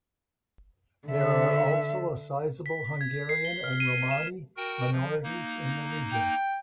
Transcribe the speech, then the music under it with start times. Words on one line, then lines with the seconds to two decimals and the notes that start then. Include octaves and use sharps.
There are also a sizable Hungarian and Romani minorities in the region.
1.07 D3 E5
2.66 B6
3.01 G#6
3.29 C7
3.45 G7
3.64 F6
3.80 D#7
4.11 E7
4.57 F#4 A#4 G5
4.91 F3
5.23 A#3 D#4
6.13 G5